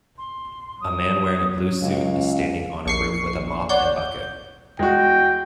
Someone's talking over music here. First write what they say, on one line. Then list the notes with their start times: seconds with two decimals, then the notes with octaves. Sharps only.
A man wearing a blue suit is standing on a roof with a mop and bucket.
0.18 C6
0.80 F#3 D#6
1.82 C#2 F5
2.86 A#1 C#6 C7
3.69 C#5 D5 F#5 G6
4.79 E2 G#3 F#4 G5